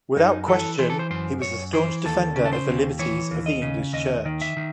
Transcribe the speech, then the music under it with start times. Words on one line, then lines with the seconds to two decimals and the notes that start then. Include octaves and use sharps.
Without question he was a staunch defender of the liberties of the English church.
0.16 F#2 D#4
0.48 E3 A4
0.79 E3 C5
0.90 A4
0.99 C5
1.11 F#2 C5
1.42 F#2 C#5
1.73 E3 C5
2.05 D#2 A4
2.36 C#3
2.46 A4
2.53 C5
2.68 D#2
2.99 E3 C#5
3.31 D#2
3.46 D#5
3.62 C#3
3.93 D#2 D#5
4.25 D#3
4.42 E5
4.57 D#3